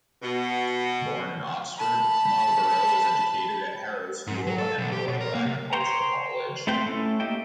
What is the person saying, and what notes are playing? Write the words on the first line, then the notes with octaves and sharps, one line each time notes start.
Born in Oxford, Marlborough was educated at Harrow School and the Royal Agricultural College.
B2
A5 B5
G#2
F#3
A4
B1
G4
B2
A#4
A#3
C3
C5 C#5 G5 A#5
A3 C4 F4 B4 G5
A3 C#4 E4 A4
A#3 G4 D#5 E5 G5